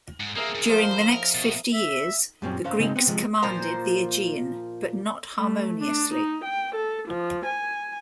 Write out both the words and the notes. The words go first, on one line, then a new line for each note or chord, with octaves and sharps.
During the next fifty years, the Greeks commanded the Aegean, but not harmoniously.
G#2
A#3 C4 G#4 A#4 E5
F2 C#3
F3 C5 E5
A#4
B2
E5
F#2 A#2 G3 C4 C#4
C#4 C5 F5
C#3 G#3 C4 D#4
B3 C4
C3 F3 G#3
A#2 F3 C5 A#5
A3
D4
D#4
G5
A4
F3
G#5